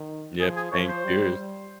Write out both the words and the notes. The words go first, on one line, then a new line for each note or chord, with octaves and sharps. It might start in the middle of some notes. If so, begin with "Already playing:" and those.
yep, staying curious.
Already playing: D#3
F3 G#4
G#4
F3 C#5
C5
G3
G3